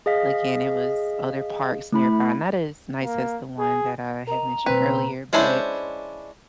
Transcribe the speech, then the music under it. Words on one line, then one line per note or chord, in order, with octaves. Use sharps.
again it was other parks nearby, not as nice as the one that I had mentioned earlier, but
G#4 D#5 F5 B6
A3 E4 B5
A#3
G#4
A#4 D#5 A#5
B2 A#3 C4 B4
G#3 C#4 D4 E4 C5